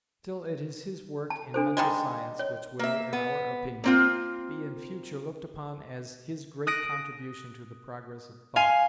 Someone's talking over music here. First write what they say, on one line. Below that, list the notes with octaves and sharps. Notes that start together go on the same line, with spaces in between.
Still it is his work in mental science which will, in our opinion, be in future looked upon as his great contribution to the progress of thought.
A5
D4 A4 C5
D#3 G3 G#3
C#5
A#3 E5
B3
A#3 C4 F4
D#6 F#6 A#6 D7
F5 G#5 C6